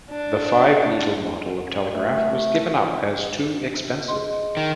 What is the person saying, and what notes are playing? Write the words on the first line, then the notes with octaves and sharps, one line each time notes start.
A five needle model of telegraph was given up as too expensive.
D4
A3
G#4 D#5 C6
D#3